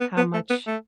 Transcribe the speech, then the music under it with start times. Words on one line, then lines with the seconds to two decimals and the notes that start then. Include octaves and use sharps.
How much
0.01 B3
0.17 B3
0.34 A3
0.50 B3
0.67 A3